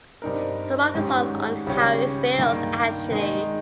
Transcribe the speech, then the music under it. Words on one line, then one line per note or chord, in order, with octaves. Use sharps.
Some of the songs on "How It Feels" actually.
G2 G3 C4 D#4 A#4
G#2 D#3 G#3 C#4 G4
C#2 C#3 G3 C#4 G4
G2 D#3 A#3
D#3 G#3 D#4 G#4